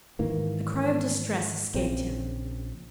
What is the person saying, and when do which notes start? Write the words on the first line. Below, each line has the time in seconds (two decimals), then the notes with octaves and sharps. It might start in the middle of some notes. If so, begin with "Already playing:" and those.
A cry of distress escaped him.
0.19 G#2 D#3 E3 A#3
1.74 A#1 C#3 C4